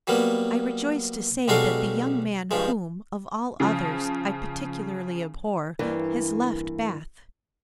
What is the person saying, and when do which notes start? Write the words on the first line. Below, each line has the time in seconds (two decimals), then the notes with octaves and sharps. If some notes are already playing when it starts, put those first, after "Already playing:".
I rejoice to say that the young man whom, of all others, I particularly abhor, has left Bath.
0.07 F#3 G3 A#3 B3
1.48 B1 G3 G#3 F#4 A4 F5
2.51 G2 F3 G#3
3.60 C#3 F3
5.79 G2 E3 A#3